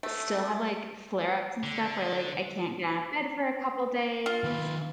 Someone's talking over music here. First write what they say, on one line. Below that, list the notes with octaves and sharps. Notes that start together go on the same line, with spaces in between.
still have, like, flare ups and stuff where, like, I can't get out of bed for a couple days.
A3
D3
F4
D#3 B4